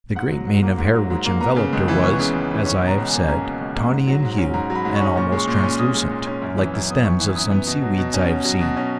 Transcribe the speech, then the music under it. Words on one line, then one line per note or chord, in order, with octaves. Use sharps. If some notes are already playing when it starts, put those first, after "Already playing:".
The great mane of hair which enveloped her was, as I have said, tawny in hue, and almost translucent, like the stems of some seaweeds I have seen.
G#2 F#5
F#3
G#2
A#3
G#2
F#3
G#2
A#3
B3 A#5
C#3
C#2
E3
B3 C#6
C#3
C#2
E3
C#4 C#6
B2
A#5
C#2
G#5
A#3
C#4 A#5
B2
C#2
A#3
G#2
F#3
G#2
C#4
G#2 A#5
F#3
B5
G#2
C#4 C#6
A#2 C#6
G#3
C#6
A#2
C#6
C#4
A#2 D#6
G#3
A#2
C#4
F#2
E3
F#2
B3 D#6
F#2 C#6
E3
F#2 D#6
B3
B2
F#3
B2
C#4
B2
F#3
B2
C#4